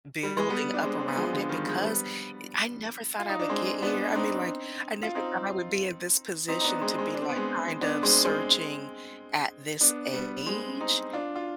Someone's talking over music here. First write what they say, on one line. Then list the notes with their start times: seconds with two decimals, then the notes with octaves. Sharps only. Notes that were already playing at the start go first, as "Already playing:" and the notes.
building up around it because e I never thought I would get here, I mean, like, I never thought I would be in this position to be, like, kind of searching at this age,
0.23 G3
0.37 G#3
0.49 G3 B3
0.74 D4
0.83 G#3 C4
0.99 C4
1.08 B3
1.16 F3 G#3
1.33 D3 F3
1.49 D#3 G3
1.66 F3 G#3
1.76 C4
1.83 G3 B3
3.19 F4
3.29 D#4
3.40 D4
3.49 G#3 C4
3.82 B3 D4
4.10 D4
4.16 C4 D#4
5.03 F4
5.15 C4 D#4
6.48 C4 D#4
6.61 D#4
6.64 B3 D4
6.81 G#3 C4
6.98 G#3 C4
7.15 D4
7.21 C4
7.29 B3
7.35 G#3 C4
7.81 B3 D4
8.03 G#3 C4
8.25 G#3 C4
9.81 B3 D4
10.14 G3 B3
10.46 G#3 C4
10.80 C4 D#4
11.13 D4 F4
11.36 F4